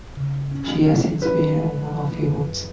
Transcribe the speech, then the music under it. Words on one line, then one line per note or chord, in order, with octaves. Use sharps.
She has since been a woman of few words.
C#3
C#4
F#3
C#4 B4
G#3
F3
F#2